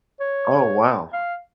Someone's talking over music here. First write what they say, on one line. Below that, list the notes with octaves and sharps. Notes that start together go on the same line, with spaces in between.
Oh, wow.
C#5
F5